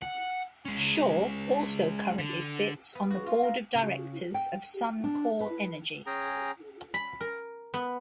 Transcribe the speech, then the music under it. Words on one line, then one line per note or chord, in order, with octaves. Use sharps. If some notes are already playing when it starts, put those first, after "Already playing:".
Shaw also currently sits on the board of directors of Suncor Energy.
F#5
G#3 C#4
D3
B3
F#4
F4
A#4
C#3
G5
D4
B4
C#4 G#4 G5 A#5
B5
A#4
B3